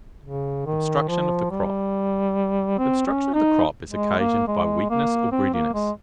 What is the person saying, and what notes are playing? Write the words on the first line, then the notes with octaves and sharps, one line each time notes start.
OBSTRUCTION OF THE CROP.--Obstruction of the crop is occasioned by weakness or greediness.
C#3
D#3
F3
G3
C4
C#4
D#4
G#3
A#3
G#3
A#3
C4
A#3
G#3